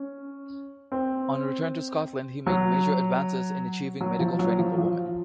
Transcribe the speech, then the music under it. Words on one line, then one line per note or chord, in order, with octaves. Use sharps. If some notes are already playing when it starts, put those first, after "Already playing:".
On return to Scotland he made major advances in achieving medical training for women.
Already playing: C#4
C4
F#3
F#3
F3
F#3
F3
F3